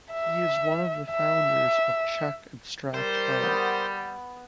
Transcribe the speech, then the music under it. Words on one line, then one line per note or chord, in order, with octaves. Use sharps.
He is one of the founders of Czech abstract art.
E5
E5
G3 A#4 C5
B3 F#5